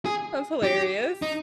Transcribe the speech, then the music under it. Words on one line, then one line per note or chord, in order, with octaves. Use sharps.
That's hilarious.
G#4
G4
D#4